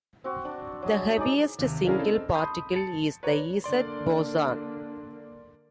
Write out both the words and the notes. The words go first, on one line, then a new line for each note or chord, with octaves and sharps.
The heaviest single particle is the Z boson.
C4 F#4
D4
F#3 G#3
D#4 G#4 D5
D#2 C3
C#4 D4 E4 G#4 A#4 F5
C4 D#4 A4
A5 B5 C6 D#6 G6
A5 A6 C#7
B4 C#5 D5 A#5
D3 A#3 D4 D5 C6